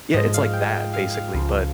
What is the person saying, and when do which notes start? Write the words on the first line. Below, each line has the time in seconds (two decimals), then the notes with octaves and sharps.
Yeah, it's like that, basically, but
0.14 G#2 F3 G#3 D#5
0.34 F5
0.54 G5
0.74 G5
0.94 F5
1.14 F5
1.34 C#2 C#3 F3